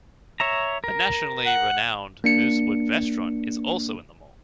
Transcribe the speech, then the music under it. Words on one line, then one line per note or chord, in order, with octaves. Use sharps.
The nationally renowned Moosewood Restaurant is also in the mall.
C#5 E5 A#5
A#4
F#5
A#3 D4 C#7